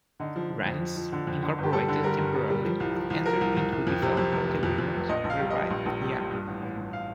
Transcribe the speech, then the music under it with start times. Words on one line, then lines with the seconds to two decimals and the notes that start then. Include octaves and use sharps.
Brands, Incorporated temporarily entered into a development agreement whereby Yum!
0.20 D3 D#4
0.36 F3
0.50 F3
0.66 F2
0.81 F3
0.96 F3
1.12 D3
1.27 F2
1.42 D3
1.58 G1 G4
1.72 G3 A4
1.88 D3
2.03 G3 A#4
2.18 G2
2.34 G3
2.50 G3
2.65 F3
2.80 C2
2.95 F3
3.10 C2
3.26 F3 A#4
3.41 C2
3.57 C2
3.72 C2
3.87 F2
4.02 C3
4.17 F2
4.32 F1
4.48 F1
4.63 F2
4.78 F2
4.94 F1
5.09 A#1 D#5
5.24 A#1
5.30 F5
5.40 G3
5.50 G3 D#5
5.70 A#1
5.86 A#1
6.01 G3
6.16 A#2
6.31 G2
6.47 A1
6.62 A1
6.77 G2
6.93 F5